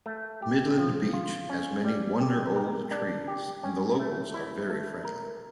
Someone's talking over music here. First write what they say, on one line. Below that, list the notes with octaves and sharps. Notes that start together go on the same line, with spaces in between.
Midland beach has many wonder old tree's and the locals are very friendly.
A3
G4
F3
F4
C#4
G3
G4
A#4
D4
G4
C#4
A3
E4
A3
A#4